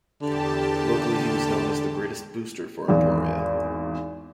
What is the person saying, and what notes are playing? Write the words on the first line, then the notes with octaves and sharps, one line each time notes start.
Locally he was known as the greatest booster for Emporia.
E2 D3 G4 A5
G#1 E2